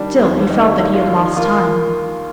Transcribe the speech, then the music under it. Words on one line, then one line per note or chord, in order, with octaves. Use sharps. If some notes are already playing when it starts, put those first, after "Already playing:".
Still, he felt that he had lost time.
Already playing: D#3 G3 D4
D#2
G3 D#4
D#2
F4
D#2
A#3 F4